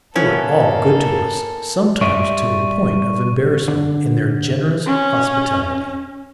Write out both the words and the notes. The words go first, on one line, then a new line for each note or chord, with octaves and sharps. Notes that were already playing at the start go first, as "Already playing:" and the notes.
They were all good to us, sometimes to the point of embarrassment, in their generous hospitality.
A#3 B3 C#4 E4 A4
G3 D5 E5 C#6
D3
C#4